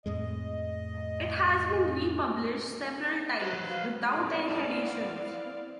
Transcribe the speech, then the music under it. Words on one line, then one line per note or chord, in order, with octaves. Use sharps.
It has been republished several times, without any additions.
F2 A2 G#3 D#5
F#3 B4 C5
F5
B3 C4 E4 D5 F5